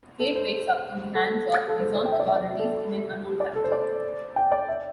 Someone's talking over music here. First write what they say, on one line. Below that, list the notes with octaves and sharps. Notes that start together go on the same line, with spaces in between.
Kate wakes up in the hands of Izon authorities in an unknown factory.
A4
C5
A4
A4
C5
D5
G5
E5
D5
E5
D5
A4
D5
A4
C5
D5
G5
D5
E5